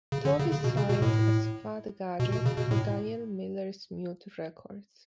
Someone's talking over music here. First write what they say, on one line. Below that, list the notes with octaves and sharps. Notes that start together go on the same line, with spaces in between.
Tovey signed as Fad Gadget to Daniel Miller's Mute Records.
C#3
D3
C#3
C#3
B2
C#3
B2
A2
B2
B2
C#3
B2
A2